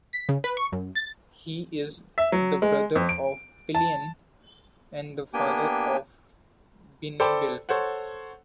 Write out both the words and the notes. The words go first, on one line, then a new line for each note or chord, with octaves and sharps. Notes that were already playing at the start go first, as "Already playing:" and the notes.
He is the brother of Pallian and the father of Binbeal.
B6
C#3
B4
C#6
F#2
A6
E5
F#3
G#3
F2
D7
A5
A#3 B3 D4 G4 G5 G#5
A4 C5 D5 G5 B5 D6
A4 C5 C#5 F#5